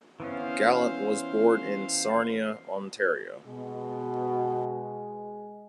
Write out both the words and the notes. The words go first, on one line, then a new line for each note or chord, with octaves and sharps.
Gallant was born in Sarnia, Ontario.
E3 B3 C#4 C5 F5
B2 G#3